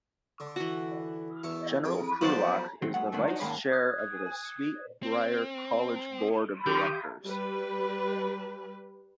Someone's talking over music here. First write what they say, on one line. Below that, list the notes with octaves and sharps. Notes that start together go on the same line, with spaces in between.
General Krulak is the Vice Chair of the Sweet Briar College Board of Directors.
D3
E3 F#4
E2 E4 C#6
F2 G#4 G5
F3 F#3 B3 B4 C5 D5
D#3 F#3 A3 C4
F#2 G#3 A3 B3 F#5
G2 D3 D#3 A3 B3 D4
D#4 F#4
G#2 D#3 G#3 A#3 C#4 B5
D#6 F#6 G#6
C4
D#3 G4 G6
G3 B4